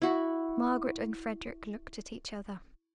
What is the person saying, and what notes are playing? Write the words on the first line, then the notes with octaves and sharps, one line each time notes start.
Margaret and Frederick looked at each other.
E4 F#4